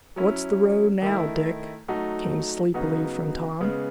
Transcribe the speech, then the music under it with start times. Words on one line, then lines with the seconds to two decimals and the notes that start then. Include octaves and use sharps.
"What's the row now, Dick?" came sleepily from Tom.
0.16 F#3 C#4 E4
1.02 D#3 A3 E4
1.88 F#3 A3 D#4 F#4
2.74 C#3 F#3 B3 D#4 F#4
3.60 C#3 G#3 B3